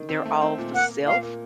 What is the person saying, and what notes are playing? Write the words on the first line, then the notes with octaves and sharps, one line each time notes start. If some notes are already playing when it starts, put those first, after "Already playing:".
they're all for self,
Already playing: D#3
C4
A3
C4
A#2
A#3 F#5
A#3
A#2 F5
A#3